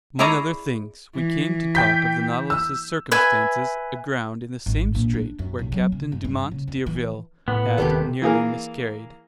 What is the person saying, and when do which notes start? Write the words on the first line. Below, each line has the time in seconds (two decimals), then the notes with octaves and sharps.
Among other things, we came to talk of the Nautilus's circumstances, aground in the same strait where Captain Dumont d'Urville had nearly miscarried.
0.19 E4 G#4 C#5 D5 E5 A#5
1.14 E3
1.75 G5 G6 B6
2.50 E6
3.11 B4 E5 G#5
4.66 G#1
4.95 A#1
5.13 D4
5.39 F#2
5.59 B1
5.72 F#3
5.92 C#3
6.12 G1
6.24 G2
6.51 C#3
6.68 F2
6.86 E3
7.48 A2 B3
7.78 D#1 C2 C3 D#3 G4 A4
8.22 E3 A#3 G#4 A#4